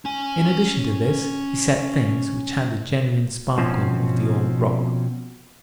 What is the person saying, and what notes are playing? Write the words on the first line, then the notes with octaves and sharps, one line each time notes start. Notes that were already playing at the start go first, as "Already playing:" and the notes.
In addition to this, he said things which had the genuine sparkle of the old rock.
C#4 G#5
B2 F3 C4 C#4